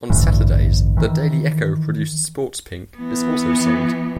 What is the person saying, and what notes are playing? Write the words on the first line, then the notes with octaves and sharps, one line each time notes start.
On Saturdays, the "Daily Echo" produced Sports Pink is also sold.
A1 D2 G2 E3
D#3 E3
E3 B3